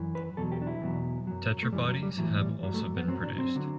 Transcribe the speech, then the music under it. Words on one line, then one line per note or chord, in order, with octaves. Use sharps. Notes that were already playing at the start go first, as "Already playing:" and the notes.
"Tetrabodies" have also been produced.
Already playing: F#2 E3
B4
E2 B2 F#3 A4
G4
D4
E4
E2 B2 F#3
F#2 F#3
A3
F#2 E3 G3
F#3
G3
A2 E3 F#3
G3
G2 F#3 G3
A3
B3
F#2 F#3 C4
D4
C4
D3 F#3